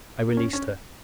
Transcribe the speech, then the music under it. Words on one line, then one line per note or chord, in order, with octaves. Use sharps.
I released her.
A#3
C#4
C#4